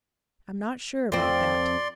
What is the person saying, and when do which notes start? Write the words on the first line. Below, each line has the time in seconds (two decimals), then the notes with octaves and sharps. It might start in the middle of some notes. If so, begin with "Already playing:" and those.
"I'm not sure about that."
1.12 F2 C4 D5 C6